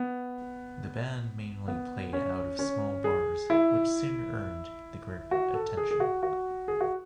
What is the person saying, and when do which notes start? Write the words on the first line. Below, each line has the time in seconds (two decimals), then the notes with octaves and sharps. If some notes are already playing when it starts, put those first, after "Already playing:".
The band mainly played out small bars which soon earned the group attention.
Already playing: B3
1.68 B3
2.13 C#4
2.59 C#4
3.04 G#4
3.50 E4
5.31 F#4
5.54 A4
5.77 G#4
5.91 G#4
6.00 F#4
6.23 F#4
6.68 G#4
6.80 F#4